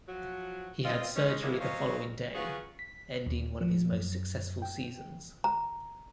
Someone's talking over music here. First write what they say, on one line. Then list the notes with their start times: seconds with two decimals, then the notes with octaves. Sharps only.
He had surgery the following day, ending one of his most successful seasons.
0.08 F3 F#3 F#4
0.84 C4 F4 D#5
1.16 G#3 C#4 D#4
1.42 F3 G3 G#3 A#3 C#4 E4
1.61 F#3 C#4 C5 C#5 D#5 F5
2.35 F#3 C#4 F4 F#4 G#4 B4
2.79 B6
3.26 D#2
3.61 F3
3.92 F#2
4.62 G5
5.44 A#5